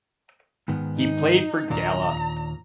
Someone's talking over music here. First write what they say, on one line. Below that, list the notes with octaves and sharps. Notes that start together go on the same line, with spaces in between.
He played for Gala.
G#2 D#3 B3
D#4
D#2 A#2 D4 A#5